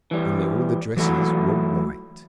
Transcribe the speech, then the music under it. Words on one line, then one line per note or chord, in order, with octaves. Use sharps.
Only all the dresses were white.
E3 G3
E3 F#3 A3 E4 F#4